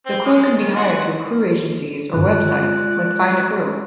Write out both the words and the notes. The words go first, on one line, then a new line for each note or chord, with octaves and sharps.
The crew can be hired through crew agencies or websites like Find a Crew.
C4
G#3
D#3
F#4
G2 D3 D#3 G#3 F4 D5 F#6
F#4